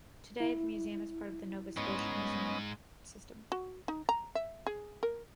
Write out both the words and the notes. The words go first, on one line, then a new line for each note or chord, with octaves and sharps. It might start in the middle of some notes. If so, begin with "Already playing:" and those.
Today the museum is part of the Nova Scotia Museum system.
E4
G#2 B3 C#4 D#5
F#4
D#4
A#5
E5
G#4
A#4